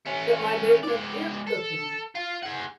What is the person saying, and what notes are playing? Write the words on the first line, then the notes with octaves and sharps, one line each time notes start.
But my business is cooking.
A3 C#4
G#3 D5
A4
F4
G#4 F#5